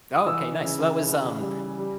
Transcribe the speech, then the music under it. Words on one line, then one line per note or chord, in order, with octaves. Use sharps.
Oh, okay, nice. So, that was, um,
D#6
E3 E6
C#3
C#3
G3
G3